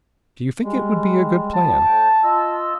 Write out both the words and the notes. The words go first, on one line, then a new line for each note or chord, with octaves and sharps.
"Do you think it would be a good plan?"
G3 G#3
F3 G3 A5
A2 G5
F4 D#5 E6